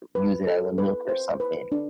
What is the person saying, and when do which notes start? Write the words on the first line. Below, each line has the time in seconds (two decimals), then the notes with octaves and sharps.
use it as a nook or something.
0.15 B4
0.47 A4
0.78 B4
1.09 C5
1.40 B4
1.72 D4